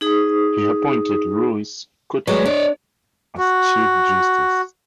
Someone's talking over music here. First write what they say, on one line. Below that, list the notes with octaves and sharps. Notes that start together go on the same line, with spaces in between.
He appointed Luis Kutner as Chief Justice.
D#4 G#4 D#6
F#3 G#3 A3 B4 D5
D4 C#5 D5
F#4